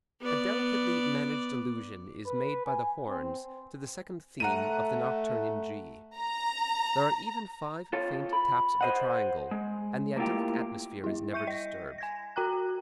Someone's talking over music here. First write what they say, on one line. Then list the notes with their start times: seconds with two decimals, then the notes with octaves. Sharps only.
A delicately managed allusion is made by the horns to the second theme of the nocturne in G. There are even five faint taps of the triangle, and the idyllic atmosphere is never disturbed.
0.21 B3 D5
2.26 B4
2.65 G#5
3.07 C4
4.40 A3 F#5 A#5 D#7
6.18 A#5
7.93 F4 A4 C#5
8.33 B5
8.81 C5 D#5 F#5
9.51 G#3
10.16 A3 A#3 E4 F4 G4
11.04 G3 E4
11.33 E5 C#6 G6 C#7 D#7
11.47 D#5 A#6
11.98 G#5 G#6 A#6
12.36 F#4 G5 A#5 F#6